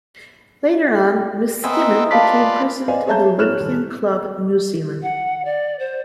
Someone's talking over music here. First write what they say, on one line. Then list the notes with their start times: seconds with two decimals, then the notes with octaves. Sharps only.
Later on Miskimmin became president of the Olympian Club New Zealand.
1.64 B3 C4 A#4 D#5 E5 G#5
2.11 F4 B4 D5 F5 A5 B6
2.88 B4 C5 D5 D#5 F5 G#5
3.07 G#4 C#5 E5 A5 A#5 G6
3.38 A2 C#5 F6 F#6 E7
3.60 D#1
5.02 F#5
5.45 D5
5.79 C5